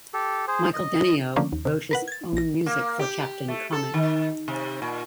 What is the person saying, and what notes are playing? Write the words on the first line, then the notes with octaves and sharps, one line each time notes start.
Michael Denio wrote his own music for Captain Comic.
G4 A4
G#4 C5
D#5
D3 F3 A3 A#3 C#4 D4
D#2
C3
A#4 B4 F#5
G#6 A6
A#1 A#6
A#3
G4
A3
A4
D#3
C3
A#2